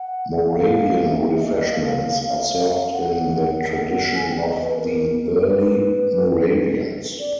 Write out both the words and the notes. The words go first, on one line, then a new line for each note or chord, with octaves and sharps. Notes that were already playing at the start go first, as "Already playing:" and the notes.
Moravian refreshments are served in the tradition of the early Moravians.
Already playing: F#5
F5
E5
D#5
F5
F#5
G#5
G5
D5
D#5
B4
A#4
B4
D5